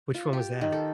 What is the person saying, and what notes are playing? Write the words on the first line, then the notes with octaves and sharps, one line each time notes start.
Which one was that?
F4
G4
D#3
A4